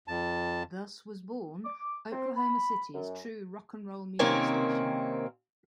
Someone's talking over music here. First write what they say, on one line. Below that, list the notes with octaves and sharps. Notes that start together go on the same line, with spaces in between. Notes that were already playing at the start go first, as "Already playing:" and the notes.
Thus was born Oklahoma City's true "Rock N' Roll" music station.
F2 A5
D6
C4
B5
F#2
C3 D#3 A#3 C4 C#4 G#5